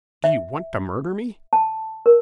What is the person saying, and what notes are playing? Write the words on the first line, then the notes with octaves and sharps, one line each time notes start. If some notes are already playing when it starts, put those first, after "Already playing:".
"Do you want to murder me?"
E5
A5
A#4